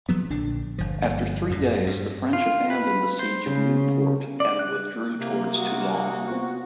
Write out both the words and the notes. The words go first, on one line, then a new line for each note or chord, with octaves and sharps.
After three days the French abandoned the siege of Nieuwpoort and withdrew towards Toulon.
F3 F#3 B3
A#1 D3 D4
G1 F3
F#2 A2
G2
F4
B4
C5
C#3
D5
F#6
C3 A#3
G3 F#4 D#6
B3 C4 F4 C#6